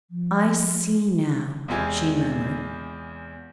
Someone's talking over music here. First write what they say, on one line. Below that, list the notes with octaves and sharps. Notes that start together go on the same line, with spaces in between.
"I see now," she murmured.
F3
E2 C3 G#3 F4 G#5 G#6